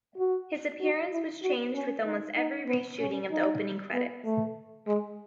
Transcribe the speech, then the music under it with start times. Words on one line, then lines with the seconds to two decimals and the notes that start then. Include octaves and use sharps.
His appearance was changed with almost every reshooting of the opening credits.
0.17 F#4
0.81 F#4
1.12 E4
1.43 F#4
1.75 C#4
2.06 D#4
2.37 D#4
2.68 B3
2.99 C#4
3.31 D#4
3.93 B3
4.24 A3
4.87 G#3